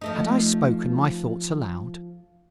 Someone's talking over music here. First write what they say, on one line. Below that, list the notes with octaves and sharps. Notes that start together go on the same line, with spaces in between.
Had I spoken my thought aloud?
F3 A3 D#4